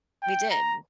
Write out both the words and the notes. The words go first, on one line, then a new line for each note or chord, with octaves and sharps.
We did.
G5
A#5